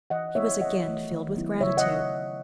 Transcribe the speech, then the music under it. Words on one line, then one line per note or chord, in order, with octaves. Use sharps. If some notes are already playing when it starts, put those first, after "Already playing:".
He was again filled with gratitude.
E3 D#5 F#5
B3 E4 C#5 E5
C#3 D#5 F#5
E3 A3
D#3
F#3 B3 E4
C#3 C#5 E5
D#5 F#5